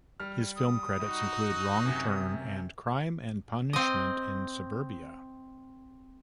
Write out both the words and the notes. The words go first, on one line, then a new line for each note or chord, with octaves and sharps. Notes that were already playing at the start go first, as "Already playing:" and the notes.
His film credits include "Wrong Turn" and "Crime and Punishment in Suburbia".
G3 F6
D#6
D#4 F#4
F#2 C3
C4 D#5